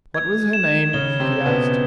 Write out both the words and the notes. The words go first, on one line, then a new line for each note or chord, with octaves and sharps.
"What was her name?" he asked.
G#6
E7
C#3 C#4 G7
C3 C4
E7
B2 B3
G6